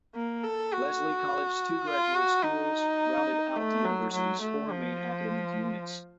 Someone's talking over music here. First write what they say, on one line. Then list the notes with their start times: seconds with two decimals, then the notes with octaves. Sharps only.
Lesley College's two graduate schools rounded out the university's four main academic units.
0.15 A#3
0.44 A4
0.73 F#4
1.87 F4
2.15 F#4
2.43 D#4
3.57 A3
3.85 F#3
4.13 F#3
4.41 A3
4.70 F3